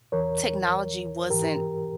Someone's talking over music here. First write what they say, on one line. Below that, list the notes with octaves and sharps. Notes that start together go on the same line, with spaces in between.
technology wasn't
E2 E3 A#4 C#5
G#2 E3 G4 A#4